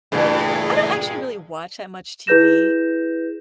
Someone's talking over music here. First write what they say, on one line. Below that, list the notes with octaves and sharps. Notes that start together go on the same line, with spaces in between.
I don't actually really watch that much TV.
G2 A#2 C#3 E3 A3 G#4
E4 G#4 B4 G6 A#6 E7